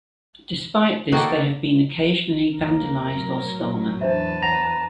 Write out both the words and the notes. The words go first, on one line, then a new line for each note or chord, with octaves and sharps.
Despite this they have been occasionally vandalised or stolen.
D#3 A#3 F#4 A4 D5
D#2 A#3 A#4
A2 F#3
E2 D4 B4 C5 E5 A5
C#5 F#5 A#5